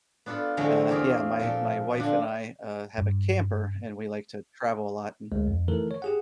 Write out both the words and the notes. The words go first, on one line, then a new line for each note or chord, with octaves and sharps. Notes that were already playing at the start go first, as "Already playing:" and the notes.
uh, yeah. My my wife and I, uh, have a camper, and we like to travel a lot an
B3 D4 F4 A4 B5
D3 E3 F#3 G#3 A3 C4
E2 A3 A#3 F4 G4 G#4
A#2 F3 A4 A5
D3 F3 C4 D4
G2
D2 G#3
F2
D#3 E3 A3 A4 A#4
C#5
G4 G#4 F#5